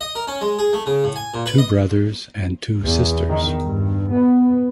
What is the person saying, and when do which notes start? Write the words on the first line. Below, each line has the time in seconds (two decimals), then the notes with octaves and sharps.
Two brothers and two sisters.
0.01 D#5
0.15 A#4
0.27 C#4
0.41 G#3
0.59 G#4
0.73 A3
0.86 C#3
1.04 A2
1.16 G#5
1.34 A#2
1.46 B4
1.58 D#5
2.84 E2
3.29 D#3
3.63 G2
4.10 B3